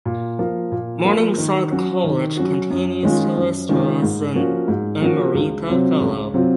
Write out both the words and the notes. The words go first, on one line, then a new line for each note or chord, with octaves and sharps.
Morningside College continues to list her as an emerita fellow.
A#2
F3 A#3
A#2
F3 A#3
D#3
F#3 C#4 F#4
D#3
F#3 C#4 F#4
F#2
D#3 G#3 C#4 F4
F#2
D#3 G#3 C#4 F4
G#2
F3 A#3 C#4 F#4
G#2
F3 A#3 C#4 F#4
C#2
C3 F#3 C4 F4
C#2
C3 F#3 C4 F4